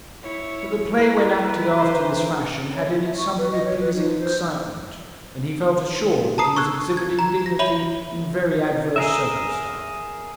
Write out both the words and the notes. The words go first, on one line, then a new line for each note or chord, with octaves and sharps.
But the play when acted after this fashion had in it something of pleasing excitement, and he felt assured that he was exhibiting dignity in very adverse circumstances.
E4 C#5
E4 B4 A#5
E3 C5
C#5
E4
E5
C#6
B4
D#5
C#5
B4
D#4
C5
A5 A#5 D#6 C7
C#6 E6 F#6 G#6
G#6
A#5
A#6
C#5 E5 B5 D#7 F#7 G7
G#4 A#4 E5